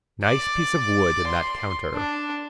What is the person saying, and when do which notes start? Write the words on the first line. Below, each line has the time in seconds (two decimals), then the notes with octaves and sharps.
Nice piece of wood in that counter.
0.24 D5
1.28 C6
1.95 D4